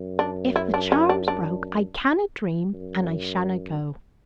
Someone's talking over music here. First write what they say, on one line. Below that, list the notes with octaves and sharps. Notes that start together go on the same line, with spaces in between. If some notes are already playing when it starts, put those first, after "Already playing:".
'If the charm's broke, I canna dream, and I shanna go.'
Already playing: F#2
D4
E4
D4
C#4
D4
D4
F#2